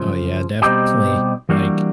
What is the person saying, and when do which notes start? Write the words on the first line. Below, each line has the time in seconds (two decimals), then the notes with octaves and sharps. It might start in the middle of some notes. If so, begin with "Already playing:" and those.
Oh, yeah, definitely. Like,
Already playing: F#2 C#3 F3
0.62 B2 G3 C4 D#4 G4
1.49 E3 G3 A#3 D4 F#4